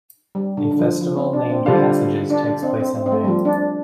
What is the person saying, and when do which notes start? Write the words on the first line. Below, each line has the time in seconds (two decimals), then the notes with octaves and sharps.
A festival named "passages" takes place in May.
0.35 G3
0.57 D3
0.71 D3
0.79 F3
1.01 F3
1.16 C4
1.33 D4
1.50 C4
1.65 D3 G3 D4 F4 C5 F5
2.30 D4
2.48 D4
2.63 C4
2.80 C4
2.95 C4
3.06 C4
3.12 A3
3.24 G3
3.28 F3
3.45 D4